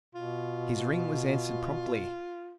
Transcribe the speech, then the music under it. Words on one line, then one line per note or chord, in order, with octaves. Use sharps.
His ring was answered promptly.
B2 F4